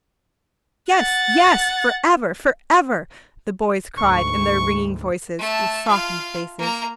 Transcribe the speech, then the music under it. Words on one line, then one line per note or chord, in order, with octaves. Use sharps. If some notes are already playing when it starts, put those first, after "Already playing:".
"Yes, yes, for ever, for ever!" the boys cried in their ringing voices, with softened faces.
F#5 A6
D2 G#2 C#6
A3 A5
F4 F5
A#3 A#5